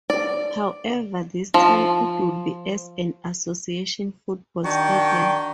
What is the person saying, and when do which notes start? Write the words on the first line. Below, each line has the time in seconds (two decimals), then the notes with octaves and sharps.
However, this time it would be as an association football stadium.
0.10 D5
1.54 F3
4.63 D#3 D4 F#4 D5 G5